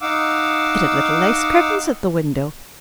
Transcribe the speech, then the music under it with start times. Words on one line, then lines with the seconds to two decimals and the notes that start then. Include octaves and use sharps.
It had little lace curtains at the window.
0.01 D#4 F5 F#5 D6 E6